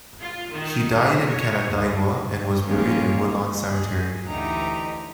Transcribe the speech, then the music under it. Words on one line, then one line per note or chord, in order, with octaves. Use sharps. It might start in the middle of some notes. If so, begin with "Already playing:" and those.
He died in Canandaigua and was buried at Woodlawn Cemetery.
F4
D#3
A#3
C#5
D2
D#3 F3 G3 A#3 C#4 F4
G#4
D2 D3 E3 D#4 G4 A#5